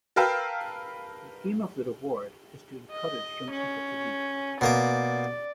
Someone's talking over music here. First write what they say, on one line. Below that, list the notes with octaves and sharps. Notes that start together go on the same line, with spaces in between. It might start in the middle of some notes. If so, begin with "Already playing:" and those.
The aim of the reward is to encourage young people to read.
A#4 B4 F5 G5 A5 E6
D#5
C#4
B2 A#3 D5 D6